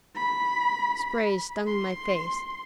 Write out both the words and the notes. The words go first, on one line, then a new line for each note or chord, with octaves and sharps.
Spray stung my face.
B5
C6